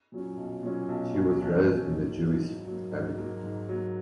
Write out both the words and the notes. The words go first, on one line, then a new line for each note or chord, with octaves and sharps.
She was raised in a Jewish family.
A#2 F#3 C#4
B1
A#2 F#3 C#4
B1
A#2 F#3 C#4
B1
A#2 F#3 C#4
G#2
F#3 A#3
G#2
F#3 A#3
G#2
F#3 A#3
G#2
F#3 A#3